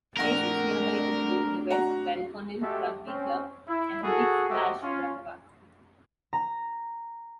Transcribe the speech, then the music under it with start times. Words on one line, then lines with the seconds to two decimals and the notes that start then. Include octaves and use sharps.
Places nearby include the West Belconnen Rugby Club and the "Big Splash" Waterpark.
0.17 A#1 A3 C4 D4 A#4 F#5 A#6
1.71 F#4 A#5
2.62 G#3 A3 F#4 G4 A4 E5
3.06 C4 C#4
3.68 E4
4.04 F#4 G#4 A4
4.49 F#4 G4 A4 C5 D#5 E5
4.83 C#4 F4
6.33 A#5